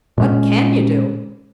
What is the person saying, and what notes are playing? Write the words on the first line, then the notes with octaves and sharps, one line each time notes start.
"What can you do?"
A#2 G#3 C#4